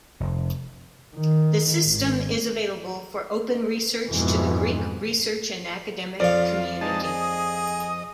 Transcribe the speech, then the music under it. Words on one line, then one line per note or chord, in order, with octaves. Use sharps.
The system is available for open research to the Greek research and academic community.
F1
D#3
G#1
F2 G#2 B2 E3
F2 F4 D5 F5
G#3 D#4 A5
G#4 D#5